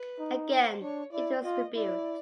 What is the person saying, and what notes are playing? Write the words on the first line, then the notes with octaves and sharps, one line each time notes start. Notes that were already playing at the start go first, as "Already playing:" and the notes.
Again it was rebuilt.
Already playing: B4
D#4
C5
D4 C#5
E4 D5
F4 D#5
E4 D5